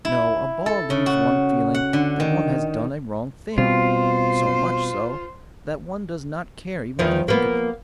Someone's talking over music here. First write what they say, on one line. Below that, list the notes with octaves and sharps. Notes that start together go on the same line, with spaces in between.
No; a ball leaves one feeling that one has done a wrong thing--so much so that one does not care even to think of it.
E4
A4
C#3
F#4
F#5
D3
D#3
B2 G3 C4 F4 C5
E2 D#3 F3
A#3 B3